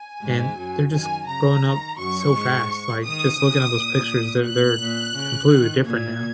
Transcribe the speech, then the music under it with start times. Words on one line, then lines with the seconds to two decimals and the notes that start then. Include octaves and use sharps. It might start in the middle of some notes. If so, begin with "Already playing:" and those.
and they're just growing up so fast, like, just looking at those pictures, they're they're completely different now.
Already playing: G#5
0.23 G#2 G#3
0.58 F#2 F#3
0.93 D#3 G#5
1.28 C#3 A#5
1.63 D#3
1.98 F#2 F#3 C#6
2.33 G#2 G#3
3.05 D#3 D#6
3.39 C#3
3.74 A#2
4.45 F#6
4.80 A#2
5.16 C#3
5.51 D#3
5.86 A#2 A#3 G#6